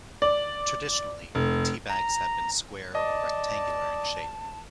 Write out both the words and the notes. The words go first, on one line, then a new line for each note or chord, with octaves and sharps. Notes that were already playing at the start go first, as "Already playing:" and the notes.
Traditionally, tea bags have been square or rectangular in shape.
D5
F1
A#5
D5 D#5 A5